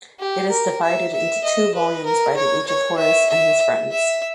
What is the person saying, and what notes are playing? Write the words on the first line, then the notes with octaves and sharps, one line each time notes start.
It is divided into two volumes by the age of Horace and his friends.
G4
A#4
E5
E5
D#5
B4
A#4
C#5
C#5
E5
E5
E5